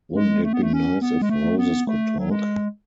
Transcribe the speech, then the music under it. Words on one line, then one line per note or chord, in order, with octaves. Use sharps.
Wouldn’t it be nice if roses could talk?
G#3
A3
B3
A3
C#4
B3
G#3
A3
B3
A3
F#3
G#3